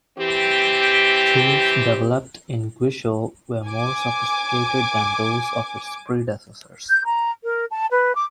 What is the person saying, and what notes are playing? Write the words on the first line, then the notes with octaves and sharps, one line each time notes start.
Tools developed in Gwisho were more sophisticated than those of its predecessors.
E3 C4 G4
G#5 D6
G6
A#5
A#4
A5
B4
D6